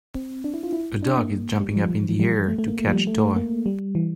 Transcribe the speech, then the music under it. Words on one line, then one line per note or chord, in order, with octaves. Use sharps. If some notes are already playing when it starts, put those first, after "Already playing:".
A dog is jumping up in the air to catch a toy.
C4
D4
E4
F4
E4
D4
A#3
G3
F3
F3
E3
F3
G3
A3
A3
A#3
A3
F3
G3
A3
A#3
G3
E3